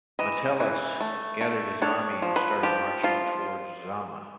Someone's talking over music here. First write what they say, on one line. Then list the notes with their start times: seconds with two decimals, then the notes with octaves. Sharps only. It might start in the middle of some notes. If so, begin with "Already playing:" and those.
Metellus gathered his army and started marching towards Zama.
0.19 E3 D#5
0.60 E3
1.00 A3
1.41 A3
1.82 D4 C#5
2.22 F3
2.36 B4
2.63 F3 G4
3.03 F3 F4